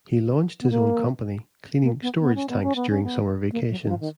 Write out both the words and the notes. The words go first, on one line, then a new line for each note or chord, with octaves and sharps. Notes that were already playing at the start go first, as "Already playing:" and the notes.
He launched his own company cleaning storage tanks during summer vacations.
B3
A#3
A#3
B3
B3
C#4
B3
C#4
B3
C#4
B3
A#3
F#3
D#3
F3
D#3